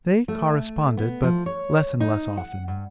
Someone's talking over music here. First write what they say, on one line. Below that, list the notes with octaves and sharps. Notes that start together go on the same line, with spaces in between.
They corresponded, but less and less often.
A3
B3
F3
C#5
D#4
F#5
G2